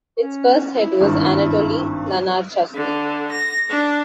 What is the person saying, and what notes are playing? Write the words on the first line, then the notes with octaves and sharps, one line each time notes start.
Its first head was Anatoly Lunacharsky.
C#4
E4
G#1 G2
D3
A#6
D4